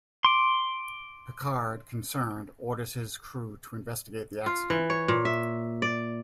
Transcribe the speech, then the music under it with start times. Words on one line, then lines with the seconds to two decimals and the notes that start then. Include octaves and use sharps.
Picard, concerned, orders his crew to investigate the accident.
0.25 C6 D6
4.46 F4
4.70 E3
4.90 C#5
5.08 A#2
5.25 E5
5.82 D5